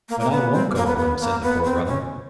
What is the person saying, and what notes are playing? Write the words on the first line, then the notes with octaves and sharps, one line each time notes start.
"But I won't go home," said the Poor Brother.
A#3
A#3
B3
C4
A#3
B3
B3
A#3
B3
C4
C#4